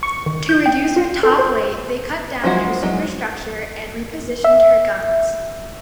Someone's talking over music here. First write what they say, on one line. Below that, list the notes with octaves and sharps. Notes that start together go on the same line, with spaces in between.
To reduce her top weight, they cut down her superstructure and repositioned her guns.
C#6
D#3
G6
G5
F4
A4
C5
F3 F#3 G#3 E4 F#4
F#3 G#3
E5